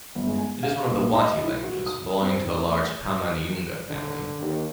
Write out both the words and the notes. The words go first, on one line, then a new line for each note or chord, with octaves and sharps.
It is one of the Wati languages, belonging to the large Pama-Nyungan family.
G1
G#3
G#5
F5
A#1
D#5
E4
F#4
D#6
C4
C4
A3
D3
D#2